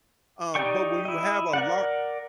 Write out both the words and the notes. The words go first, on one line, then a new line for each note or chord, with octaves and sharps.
um, but when you have a lar
D#4 G4 D5 G5 C#6
E4 D#5
A#4 D5 F#5